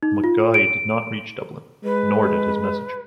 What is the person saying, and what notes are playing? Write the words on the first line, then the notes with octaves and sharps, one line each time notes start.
McGoey did not reach Dublin, nor did his message.
D#4
F4
D7
G#3 B4